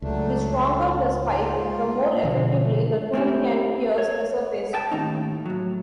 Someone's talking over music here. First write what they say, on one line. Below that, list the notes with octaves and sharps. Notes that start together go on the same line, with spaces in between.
The stronger the spike, the more effectively the tool can pierce the surface.
C#2 F#3 A3 D4
G#2 F4
B2 D3 F3 G#3
A3
A3 A#3 C4 D#4 E4 G4
C#5
E5 G5 A5
D#2 A2 C#4 D#4
A2 F#3